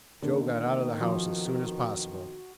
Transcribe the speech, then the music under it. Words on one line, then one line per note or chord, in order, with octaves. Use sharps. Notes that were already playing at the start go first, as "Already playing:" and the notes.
Joe got out of the house as soon as possible.
F2 B2 D3 D#3 A#3
F3 F#4